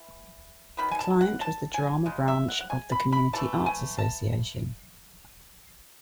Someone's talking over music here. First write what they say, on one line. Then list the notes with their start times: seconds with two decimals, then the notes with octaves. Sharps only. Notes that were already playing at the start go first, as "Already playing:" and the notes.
The client was the Drama Branch of the Community Arts Association.
Already playing: E3
0.77 D#3 F#3 B3 B5
0.91 G#5
0.99 A5
1.21 F#5
1.41 A5
1.74 G#5
2.06 C#3 G#3
2.28 E5
2.48 F#5
2.60 F#5
2.70 G#5
2.92 B5
3.12 B5
3.33 E3 A5
3.38 A3
3.66 G#5
3.98 A5